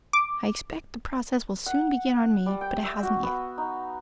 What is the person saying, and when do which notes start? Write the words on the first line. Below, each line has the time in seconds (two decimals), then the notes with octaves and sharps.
I expect the process will soon begin on me, but it hasn't yet.
0.13 D6
1.66 F#5
2.46 G3
2.61 G5
2.84 E5
3.03 F#4
3.23 B3
3.58 D#4